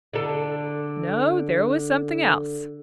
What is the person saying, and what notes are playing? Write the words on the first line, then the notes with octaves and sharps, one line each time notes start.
No, there was something else!
D3 A4